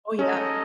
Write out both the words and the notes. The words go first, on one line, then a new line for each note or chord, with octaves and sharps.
Oh, yeah.
C#4 D#4 A4 D#5